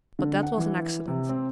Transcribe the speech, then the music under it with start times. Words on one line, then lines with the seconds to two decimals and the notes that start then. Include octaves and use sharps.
But that was an accident.
0.19 D3
0.43 F#5
0.58 E3
1.08 C3
1.29 C4